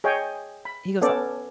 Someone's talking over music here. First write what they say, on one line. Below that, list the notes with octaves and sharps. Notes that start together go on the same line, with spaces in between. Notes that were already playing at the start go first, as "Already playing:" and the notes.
he goes, uh
G#4 C#5 D#5 G5
B5
B3 C#4 A4 D5